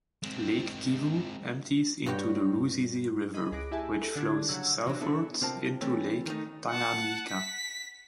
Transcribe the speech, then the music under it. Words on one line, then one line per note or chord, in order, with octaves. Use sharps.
Lake Kivu empties into the Ruzizi River, which flows southwards into Lake Tanganyika.
G#3 C4
G2 F#4 G4 C#5 G5
G#4 D#5 B5
C#2 G#4 D6 F#6 A#6 D7
A3 E4 G4 E5 G#5 A5
A4
D3 D4 G4 G#6
C#3 F#3 F#5 E6 G#6
C3 E3 F#3 D4
B3 D4 E4 G#4 A4
C3 C4 F4 A#4 A5
E3 A3 C4 C#4
D#3 A3 D#4
F#5 A5
B6